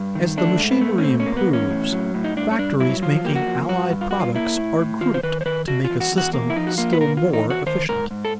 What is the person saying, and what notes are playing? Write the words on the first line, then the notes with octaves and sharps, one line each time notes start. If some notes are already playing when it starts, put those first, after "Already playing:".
As the machinery improves, factories making allied products are grouped to make a system still more efficient.
Already playing: G2
D#3
A3 D4
G#2
B3
A3
C#4
B2 C4
C#4
A#3
B3
E2
C#4
A2
F#3
A2
D#4
G2 D4
C#4
G2 D4
F#3 E4
F3 F4
A#3 G4
F#4
F3
G2 F#4
G2
F4
G2 F#4
F4
A#3 E4
A2
A2
D#3 F4
C5
D#3 B4
C5
D#3 B4
C#3 F#4
F4
E2
F#4
E2
F#4
A#3
E4
F3 D#4
F#4
A#3 F4
B4
B2 A#4
E2 F4
D#4
E2
F#4
D#3 C5
G#2 A#4
G#2
A4